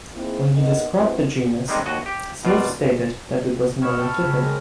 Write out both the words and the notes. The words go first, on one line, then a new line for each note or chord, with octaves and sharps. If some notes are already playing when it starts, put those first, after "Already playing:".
When he described the genus Smith stated that it was monotypic.
A#3 C4 D#4 E4 G#4
B3 D#4 A#4 D#5
A#3 C4 E4 F#4 B4 C5
D#3 G3 G#3 C4 D#4
D#2 F#4 D#5
G4
F#2 B2 F4 D5
B5 C#6 E6 F6 G#6
G5 A5 E6 F6
C#3
G#3 C4 A#4 A#5 D#6